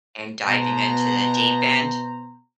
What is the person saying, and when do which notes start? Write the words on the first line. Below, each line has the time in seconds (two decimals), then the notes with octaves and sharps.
and diving into the deep end.
0.47 B2 C5 A#5